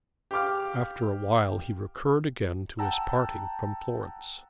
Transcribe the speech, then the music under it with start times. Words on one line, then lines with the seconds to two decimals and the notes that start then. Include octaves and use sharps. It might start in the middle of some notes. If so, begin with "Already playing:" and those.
After a while he recurred again to his parting from Florence.
0.31 G4 F5 D6 F6
2.79 F#5 G5 A5 A#5 E6